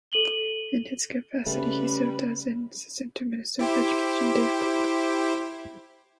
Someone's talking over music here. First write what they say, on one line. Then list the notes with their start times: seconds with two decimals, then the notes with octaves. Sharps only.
In this capacity, he served as an assistant to Minister of Education Dave Cooke.
0.12 A4 D#7 F#7 G7
1.46 C#3 G3 A3 C#4 B4
3.59 E4 G4 C5